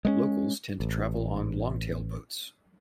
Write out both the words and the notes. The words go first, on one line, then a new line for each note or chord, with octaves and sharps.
Locals tend to travel on longtail boats.
G#3 A3 C#4
A1